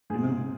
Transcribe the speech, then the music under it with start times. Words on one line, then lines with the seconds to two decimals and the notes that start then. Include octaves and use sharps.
you know?
0.10 G#2 G#4